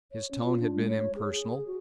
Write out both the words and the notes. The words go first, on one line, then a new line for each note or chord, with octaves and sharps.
His tone had been impersonal.
C#5
C#4
F4
D4
G#3
C#5
G#4
G#4
F#4